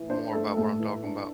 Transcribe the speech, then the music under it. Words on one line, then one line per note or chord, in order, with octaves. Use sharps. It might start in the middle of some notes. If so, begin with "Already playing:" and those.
more about what I'm talking 'bout,
Already playing: E3
D4 C5
A3 A4
A2 A4
E3
D4